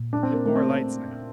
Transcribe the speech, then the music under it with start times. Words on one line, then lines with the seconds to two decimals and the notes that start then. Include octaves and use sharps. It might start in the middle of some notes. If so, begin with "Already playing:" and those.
It bore lights now.
Already playing: A#2
0.13 D4
0.23 C4
0.34 A#3
0.45 A3
0.55 C4